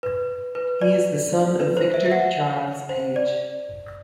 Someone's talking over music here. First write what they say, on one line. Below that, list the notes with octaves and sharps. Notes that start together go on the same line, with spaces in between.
He is the son of Victor Charles Page.
B4
B4
D5
B4
C5
E5
E5
F#5
C5
D5